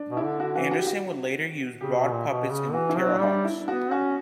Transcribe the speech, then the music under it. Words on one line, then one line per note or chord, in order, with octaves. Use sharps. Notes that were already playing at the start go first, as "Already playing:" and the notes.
Anderson would later use Rod puppets in "Terrahawks".
Already playing: D4
B2
E4
D3
D3 F#4
E3 F#4
F#4
G4
F#4
C#3 G4
B2
A#2
B2
C#3
E3 F#4
E4
F#3
D4
G3 D4
E4
B3 F#4
C#4 F#4